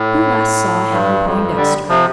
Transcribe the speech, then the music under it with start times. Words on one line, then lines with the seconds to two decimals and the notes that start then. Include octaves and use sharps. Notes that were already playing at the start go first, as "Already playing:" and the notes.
Who last saw Henry Poindexter?
Already playing: A2
0.91 G2
1.24 F2
1.56 D3 G3
1.88 C3 F3